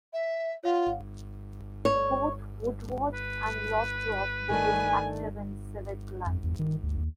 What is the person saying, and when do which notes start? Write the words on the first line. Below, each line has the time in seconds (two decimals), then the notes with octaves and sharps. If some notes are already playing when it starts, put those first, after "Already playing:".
Both Woodward and Lothrop became active in civic life.
0.13 E5
0.64 F4 C#5 F5 F#5
1.85 C#5
3.14 B4
4.50 D#3 A3 D4 G#5
6.26 F2
6.44 E2
6.59 D#3
6.83 D2
6.98 D#2